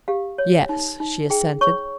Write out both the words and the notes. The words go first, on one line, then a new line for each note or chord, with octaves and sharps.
"Yes," she assented.
G4 F5
C#5
D#4
D#4
G#4 G5
C#5 C#6